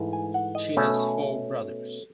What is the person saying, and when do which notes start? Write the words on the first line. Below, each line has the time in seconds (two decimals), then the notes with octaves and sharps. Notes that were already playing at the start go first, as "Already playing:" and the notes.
She has four brothers.
Already playing: G#2 E3 A3
0.13 G#5
0.34 F#5
0.55 D#5
0.77 B2 A3 C#4